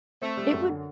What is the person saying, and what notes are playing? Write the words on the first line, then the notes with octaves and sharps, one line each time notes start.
it would
A3 C4
G3
F#2
D3